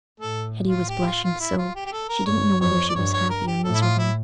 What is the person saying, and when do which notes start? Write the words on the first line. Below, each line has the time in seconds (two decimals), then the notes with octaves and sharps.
Hetty was blushing so, she didn't know whether she was happy or miserable.
0.19 A2 A4
0.66 F4
0.89 G4
1.02 E4
1.06 F4
1.23 F4
1.40 E4
1.58 F4
1.75 G4
1.86 G4
1.92 A4
2.09 A#4
2.26 G2 C#5
2.60 F2 C#5
2.89 D5
2.95 G2 C#5
3.13 C#5
3.30 A#4
3.47 G4
3.64 A2 A4
3.74 E4
3.82 F4
3.98 E4